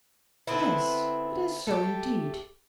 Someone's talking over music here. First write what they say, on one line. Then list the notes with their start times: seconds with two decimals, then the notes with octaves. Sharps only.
'Yes; it is so, indeed.
0.47 D3 B3 C4 E4
1.67 A3 G4